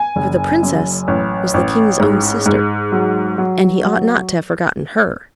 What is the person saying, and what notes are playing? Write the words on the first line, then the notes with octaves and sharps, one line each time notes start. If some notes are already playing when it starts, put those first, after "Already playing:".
For the princess was the king's own sister; and he ought not to have forgotten her.
Already playing: G#5
F#1
F#2
A1
A1
G#2
G#2
F#3
F#3
F#3